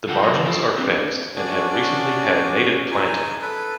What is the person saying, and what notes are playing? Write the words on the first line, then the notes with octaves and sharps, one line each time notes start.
The margins are fenced and have recently had native planting.
F2 D3 F4 A4 F#5 G5
F#2 F4 C#5 D#5 E5
C#3 G3 D5
D#3 E4 F4 G#4 A4
G#4
C4 D4 G4
C#4 D4 F#4 G#4 D5
D#4 E4 G#4 G#5
A4 B4